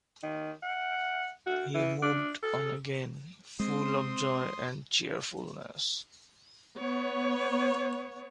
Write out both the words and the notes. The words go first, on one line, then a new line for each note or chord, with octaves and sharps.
He moved on again, full of joy and cheerfulness.
D#3
F#5
F#4
E3
D4
A4
G#3 C4 C6 D#6
B3 C#5